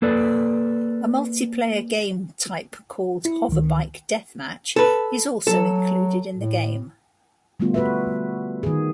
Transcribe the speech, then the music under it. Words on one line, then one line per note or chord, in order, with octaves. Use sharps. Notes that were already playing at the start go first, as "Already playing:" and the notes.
A multiplayer game type called Hoverbike deathmatch is also included in the game.
A#3 A4 B4 D5
E4
C#2 D#3
A4 B4
F#3 A4
A2
D3 G3 A3 B3 F4 F#4
F#4 B4 E5
D#3 G#4